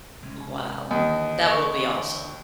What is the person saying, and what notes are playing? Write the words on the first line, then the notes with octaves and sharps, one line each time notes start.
Wow. That will be awesome.
C3 G#3 C#4
D#2 D3 E3 D#5
C#6